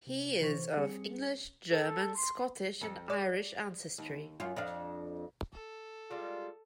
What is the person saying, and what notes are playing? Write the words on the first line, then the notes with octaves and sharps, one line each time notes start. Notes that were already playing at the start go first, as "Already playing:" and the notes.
He is of English, German, Scottish, and Irish ancestry.
C3
C3 E3 C5 C#6
G3 C4 G#4 C#7
A4
C6
F2 A4
D5
D#2
F#2 F4
F2 D4 F5
A4
G3 G#3 F4